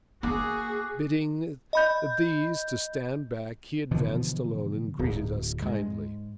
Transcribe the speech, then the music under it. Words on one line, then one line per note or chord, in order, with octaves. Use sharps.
Bidding these to stand back, he advanced alone and greeted us kindly.
A#3 F#4 G#4 D6
D#5 B5 G6
B2 D3 E3 F3
D1
G#2 G#3